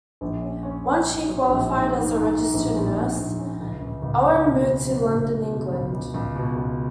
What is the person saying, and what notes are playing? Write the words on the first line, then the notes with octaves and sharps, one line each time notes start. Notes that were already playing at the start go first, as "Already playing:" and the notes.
Once she qualified as a registered nurse, Owen moved to London, England.
A#1
C#4
C#4
C#4
G#2
F#3
A#1
G#2
G#2
G#2
G#2
A#1
A#1
C#4
A#1
C#4
C#2
C#2
C#2
C#2
B2
B2
F#3
C#2
B2
B2
C#2
C#2
C#2
B2
C#2